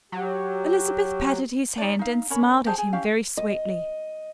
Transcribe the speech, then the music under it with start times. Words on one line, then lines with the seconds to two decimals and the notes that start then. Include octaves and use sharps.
Elizabeth patted his hand and smiled at him very sweetly.
0.12 F#3 G4
1.78 D#4 C#5 D5
1.99 D#4 F5
2.30 C#4 A#4 C#5 B5
2.66 G4 G#4 C5 A5
2.78 G#4
2.93 C#4 E4 G4 F5
3.37 D#5